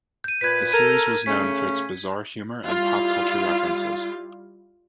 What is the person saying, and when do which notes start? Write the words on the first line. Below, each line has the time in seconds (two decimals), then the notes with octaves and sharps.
The series was known for its bizarre humor and pop-culture references.
0.24 G6 D#7
0.41 A#2 B4 G#6 B6
0.72 A4 A#4 G#6 D#7
1.26 C#3 A3 C#4 B6
2.69 G3 E4 F4 F5